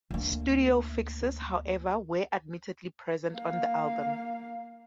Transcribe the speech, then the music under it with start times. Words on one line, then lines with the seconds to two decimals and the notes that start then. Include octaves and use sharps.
Studio fixes, however, were admittedly present on the album.
0.11 D2 A#3
3.33 A#3 F5